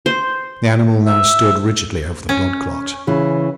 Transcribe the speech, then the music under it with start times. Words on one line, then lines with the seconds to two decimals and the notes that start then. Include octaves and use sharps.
The animal now stood rigidly over the blood clot.
0.06 C5
1.04 E5
2.29 C#4
3.07 C#3 E3 G#4